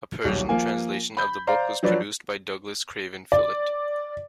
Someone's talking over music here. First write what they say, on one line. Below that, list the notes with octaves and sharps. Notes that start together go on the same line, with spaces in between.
A Persian translation of the book was produced by Douglas Craven Phillott.
D#1 B1
F3 A#3 G#5
B5 G6
C5 D5 F5 A#5
F3 F#3 D4 B4 D5
D5